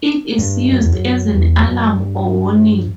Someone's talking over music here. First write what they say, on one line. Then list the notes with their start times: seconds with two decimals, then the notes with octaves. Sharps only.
It is used as an alarm or warning.
0.39 G2
0.71 F#2
0.82 E2
0.92 F#2
1.33 E2
1.64 F#2
1.95 G2